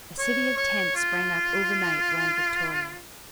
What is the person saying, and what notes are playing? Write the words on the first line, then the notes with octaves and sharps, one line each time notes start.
A city of tents sprang up overnight round Victoria.
C#5
C#5
F4